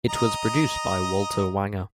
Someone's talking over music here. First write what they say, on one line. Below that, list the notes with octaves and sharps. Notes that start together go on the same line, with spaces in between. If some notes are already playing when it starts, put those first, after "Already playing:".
It was produced by Walter Wanger.
D#5 A#5 D#6